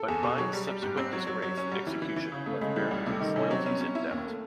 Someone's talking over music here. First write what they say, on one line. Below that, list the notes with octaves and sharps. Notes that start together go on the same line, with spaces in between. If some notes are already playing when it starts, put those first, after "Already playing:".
But Byng's subsequent disgrace and execution left Barrington's loyalties in doubt.
Already playing: A4
E2 G#4
B2 G4
F#3
G3
G3
G#2 G4
C4
F#3
F#3
F#3
C#4
G3 F#4
E3 E4
E3
E3
C#3
C#3 A3
C#3 G#3
E3 G3
C#2 G3
C3 A3
D#3 D#4
C3 C#4
F#3 C4
B3 C#4
C#4
E4
D#2 A#3
A3